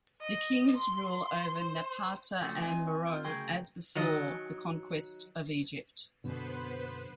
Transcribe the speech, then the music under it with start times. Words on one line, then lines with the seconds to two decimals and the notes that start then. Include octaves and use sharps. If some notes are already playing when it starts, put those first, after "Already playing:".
The Kings rule over Napata and Meroe as before the conquest of Egypt.
0.21 D#5
0.76 C6
1.58 C5
2.41 C#3 F3 A3 C#4 D4 F#4
2.62 E3 C4 D#5 G#5
3.09 C4 F4
3.25 D2 C#3 F#3 G#4 A#4 G5
3.95 D#3 F#3 D#5
6.24 F#2 B2 D3 B3 B4 C5